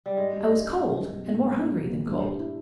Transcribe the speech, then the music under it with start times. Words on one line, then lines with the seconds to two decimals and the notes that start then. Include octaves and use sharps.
I was cold and more hungry than cold.
0.06 G3
0.17 G#2 G#3
0.33 G3
0.41 G#3
0.48 G#2
0.64 C#4
0.80 G#2
0.96 G3
1.13 B1
1.28 A#2
1.44 D#4
1.59 A#3
1.75 B1
1.91 A#2
2.07 G2
2.23 G3
2.39 E4